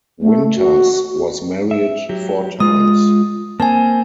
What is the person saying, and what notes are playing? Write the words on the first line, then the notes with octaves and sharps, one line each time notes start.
Winters was married four times.
A3
F#4
E5
F#3 G4
G#3 F4 D#6
A#3 C4 G#5 A5